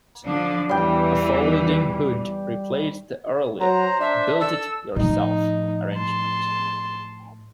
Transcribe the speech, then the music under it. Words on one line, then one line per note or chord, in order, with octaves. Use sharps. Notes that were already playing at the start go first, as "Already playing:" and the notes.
A folding hood replaced the earlier "build it yourself" arrangement.
D3 F3 D4
E2 E3 G3 G5
F#3 C5 A#5
D4 E5
A4 E6
A2 F3 D#4
A5 C6